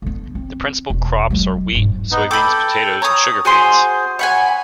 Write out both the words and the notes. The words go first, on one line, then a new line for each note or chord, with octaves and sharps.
The principal crops are wheat, soybeans, potatoes, and sugar beets.
D3 B3
C4
E1
F#3 G#3
E1 G#2
B3 D#4
A4 G5 B5 D6
C#5 A#5 D#6
F#4 G#4 C5 G#5 C6
C#5 F#5 G#5 B5